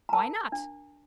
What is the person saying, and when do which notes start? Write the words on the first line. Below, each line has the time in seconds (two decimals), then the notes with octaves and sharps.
"Why not?"
0.09 A#5
0.13 A#4 A5
0.52 D4